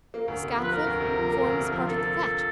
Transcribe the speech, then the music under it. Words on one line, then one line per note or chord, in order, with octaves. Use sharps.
"The scaffold forms part of the fete."
A#3
D2
C3
F3
B4
A#3 A#4
D2
C3
F3
A#3
D2
C3
F3
A#3 A4